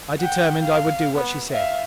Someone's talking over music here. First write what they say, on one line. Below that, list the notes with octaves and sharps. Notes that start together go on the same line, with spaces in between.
I determined I would do what she said.
F#5 G5
F5
B3
E5 F5